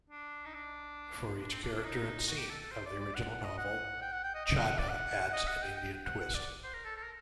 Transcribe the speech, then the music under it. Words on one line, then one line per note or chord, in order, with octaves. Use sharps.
For each character and scene of the original novel, Chadha adds an Indian twist.
D4
D#4
D4
D4
C4
D4
D4
D#4
F#4
G4
A4
A4
C5
D5
D5
F#5
F#5
D#5
F#5
G5
F#5
G5
D#5
D#5
F#5
F#5
D5
F#5
D#5
F#5
G5
G5
F#5
F#5
D5
C5
A#4
A4
A4
A#4